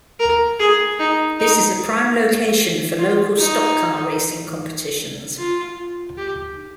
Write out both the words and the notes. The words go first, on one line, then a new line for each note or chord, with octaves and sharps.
This is a prime location for local stock-car racing competitions.
A#4
G#4
D#4
D#4
F4
D#4
F4
G4